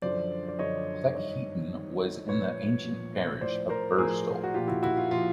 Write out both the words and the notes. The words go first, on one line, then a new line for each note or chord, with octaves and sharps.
Cleckheaton was in the ancient parish of Birstall.
F#2 D3 F3 C5 D5
D5
F#2 D3 F3 C#5 D#5
G2 D#3 C#5 D#5
G2 D#3
A#2 F3 B4 C#5
A#2 F3
A2 F3 C5 D5
A#4 C5
A2 F3 G#4 A#4
F#4
A#2 F3 F4 G4
E4 F#4
E4 F#4
F4
A#2 F3 F4